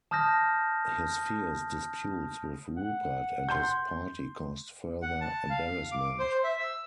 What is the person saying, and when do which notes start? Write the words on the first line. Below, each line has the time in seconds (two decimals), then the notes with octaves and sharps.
His fierce disputes with Rupert and his party caused further embarrassment.
0.11 A5 D#6 F6 G6 A#6
2.77 F#5
3.49 C6 G6
5.02 F#5
5.21 A5
5.50 F5
5.92 D6
6.19 C5
6.44 E5
6.59 E6